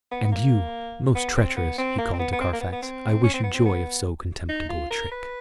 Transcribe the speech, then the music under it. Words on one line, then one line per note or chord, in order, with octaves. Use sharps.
"And you, most treacherous," he called to Carfax, "I wish you joy of so contemptible a trick."
B3
B3
A#3
B3
C4
B3
C4
A#3
C4
B3
B3
C4
A#3
B3
B3
C4
C#4
C4
B3
C4
B3
D#4
F4
A#4
B4